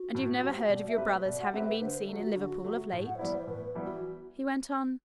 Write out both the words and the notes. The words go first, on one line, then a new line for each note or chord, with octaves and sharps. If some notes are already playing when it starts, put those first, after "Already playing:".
"And you've never heard of your brother's having been seen in Liverpool of late?" he went on.
Already playing: F#4
A2
F#3 C4 G4
B2 D5
E5
A3 C4 G4 B4
B2 D5
F#5
A3 C4 G4 B4 E5
B4
D3 C5
A4
F#3 A3
F#4
G4
D3 F#4
F#3 A3
A2
F#5
C5
E3 G3 B3 E4 D5
C5
A2 B4
E3 G3 B3 E4
F#4